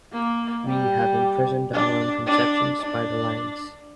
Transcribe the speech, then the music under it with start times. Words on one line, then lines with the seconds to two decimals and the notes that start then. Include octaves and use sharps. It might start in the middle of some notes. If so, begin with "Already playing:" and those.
We have imprisoned our own conceptions by the lines.
0.12 A#3
0.67 G3
1.73 D4
2.27 D4
2.80 D4